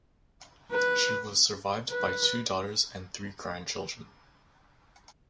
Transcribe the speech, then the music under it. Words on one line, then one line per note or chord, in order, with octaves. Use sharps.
She was survived by two daughters and three grandchildren.
B4
B4